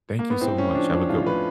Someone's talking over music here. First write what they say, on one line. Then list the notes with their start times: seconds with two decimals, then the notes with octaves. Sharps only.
Thank you so much. Have a good one.
0.19 A#3
0.30 B3
0.41 A2 C4
0.58 A2 C#4
0.75 F3 D4
0.92 F3
1.09 A2 F4
1.26 A2 B4